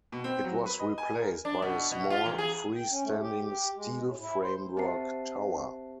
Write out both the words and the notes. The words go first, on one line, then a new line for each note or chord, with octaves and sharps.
It was replaced by a small freestanding steel framework tower.
B2
C4
F#3
B4
D#5
G#5
A#4
D4
B2
B2
F4
E2
G#4
G5
C#4
A3
G4
G4
G#3
A2
E4
C5
C4 G4 C5 E5 A5 C7